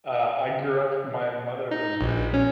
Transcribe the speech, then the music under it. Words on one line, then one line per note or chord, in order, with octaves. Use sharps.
Uh, I grew up my mother was very,
D#4
A#1
C#4